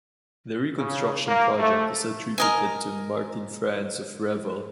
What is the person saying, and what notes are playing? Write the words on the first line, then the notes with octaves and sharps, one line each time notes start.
The reconstruction project is attributed to Martin Franz of Reval.
C#3
A#3
A3
A#4 D#5 G#5